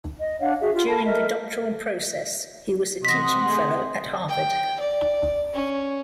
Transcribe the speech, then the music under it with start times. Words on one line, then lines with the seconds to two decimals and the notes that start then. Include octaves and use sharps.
During the doctoral process, he was a teaching fellow at Harvard.
0.20 D#5
0.40 D4 C#5 F5 F#5
0.61 F#4 G#4 E5
0.74 F4 G4
0.88 A4 A5 B5
1.05 A4 A#4 D#5 E5
3.05 C3 E3 C4 D#5 F#5 C6 A#6 B6
3.44 A3 G4 G#4
4.29 G5
4.80 D5
5.53 C#4